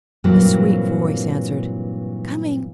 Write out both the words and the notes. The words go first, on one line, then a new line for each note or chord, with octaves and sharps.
A sweet voice answered, "Coming!"
G2 A#2 E3 F#3 C4